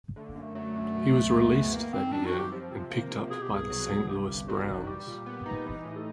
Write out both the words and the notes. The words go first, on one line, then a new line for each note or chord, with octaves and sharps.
He was released that year and picked up by the Saint Louis Browns.
D3 A3
A#3
F#2
A3
F#3 A3
F#2
B2
C#2
G#3
B3
D#3 A#3
F#2 C4
G3 D4
F#4
C4
G4
F3
C3
A#3
C3
B2 G#4
G4
C2
G#4
F#3
C2
G2 G4
G1
D#3 F#4
G3
G3 G4
A#2
B3
D#4
E3
A2
A4